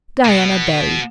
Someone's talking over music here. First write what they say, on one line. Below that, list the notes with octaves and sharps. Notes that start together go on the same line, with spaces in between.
Diana Barry.
B2 B3